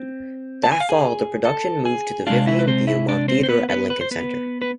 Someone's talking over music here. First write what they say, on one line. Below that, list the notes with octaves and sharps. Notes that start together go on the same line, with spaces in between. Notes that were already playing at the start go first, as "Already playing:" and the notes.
That fall, the production moved to the Vivian Beaumont Theater at Lincoln Center.
Already playing: C4
A5
G#5
F5
G#4 G#5
A4 A5
G#4 G#5
C3 G#3 B3 D4 F4 F5
E4 E5
B4
C4 C5
E4 E5
D4 D5
C4 C5
C5
B3 B4
B3 B4
B4
C5
B3 B4
B4